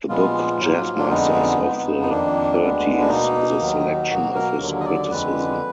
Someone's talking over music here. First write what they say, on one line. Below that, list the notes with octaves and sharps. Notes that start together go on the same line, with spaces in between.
The book "Jazz Masters of the Thirties" is a selection of his criticism.
A#2 F3 G#3 B3 F4
G#2 F#3 A#3
D4
F2 D3 G#3 B3 D#4
F2 F3 B3
D#4
F2 D#3 A#3 D4
D2 D3 G#3 B3
D4
B2 A#3 D#4
D#2 D#3 F#3
B2 F#3 A#3 F#4
A#4
D#2 D3 F#3
D#5
D5
F2 D3 G#3 B4